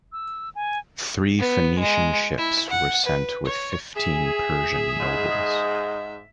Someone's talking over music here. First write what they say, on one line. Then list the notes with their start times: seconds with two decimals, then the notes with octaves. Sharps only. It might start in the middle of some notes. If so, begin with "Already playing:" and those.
Three Phoenician ships were sent with fifteen Persian nobles.
0.12 E6
0.55 G#5
1.39 B3
1.79 G#3
2.37 E4
2.70 F#5
3.05 B4
3.45 C#5
3.95 G#4 E5 G#5
5.00 G#2 D#5